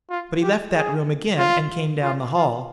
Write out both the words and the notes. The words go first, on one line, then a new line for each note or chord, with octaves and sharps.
"But he left that room again and came down the hall."
F4
G4
G#4
F4
F4
F4